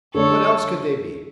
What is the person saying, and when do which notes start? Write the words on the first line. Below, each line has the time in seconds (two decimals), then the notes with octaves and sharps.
What else could they be?
0.15 D3 A3 D4 A4 C#5